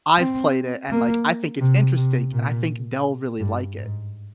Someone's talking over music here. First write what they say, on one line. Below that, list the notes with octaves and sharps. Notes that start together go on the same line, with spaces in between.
I've played it, and, like, I think it's interesting, and I think they'll really like it,
C4
A#3
C3
C3
A#2
G2
G#2